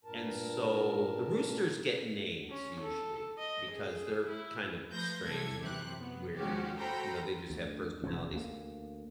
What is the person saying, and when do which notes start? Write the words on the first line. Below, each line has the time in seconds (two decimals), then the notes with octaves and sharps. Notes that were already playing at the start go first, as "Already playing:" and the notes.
and so, the roosters get names usually, because they're kind of strange and weird, and, you know, they just have personalities.
0.05 G2 A#2 A#4 A5
2.50 C#4
2.81 A4
3.38 D#5
3.72 G#4
4.28 E4
4.90 F3 A3 B4 G6 A#6
5.23 C2 F#3 A4 G#6
5.61 F#2 C3 E3 G4 F#6
5.99 F#3 B3
6.35 F3 G#3 C#4 F#4 G4
6.77 F#4 A4 C5 G5 A#5 B5
7.50 D2
8.03 F1 F2 F3 C#4
8.32 D2 A#3